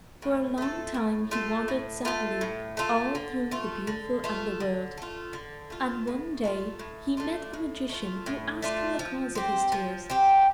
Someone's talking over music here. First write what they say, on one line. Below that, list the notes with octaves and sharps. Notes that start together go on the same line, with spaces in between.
For a long time he wandered sadly all through the beautiful underworld, and one day he met a magician who asked him the cause of his tears.
A2
A3 F4 A4
A2
A3 F4 A4
A2
A3 F4 A4
A2
A3 F4 A4
D3
A3 F4
D3
A3 F4
D3
A3 F4
D3
A3 F4
A2
A3 D4 F4
A2
A3 D4 F4
A2
A3 D4 F4
A2
A3 D4 F4
F3
C4 G4
F3
C4 G4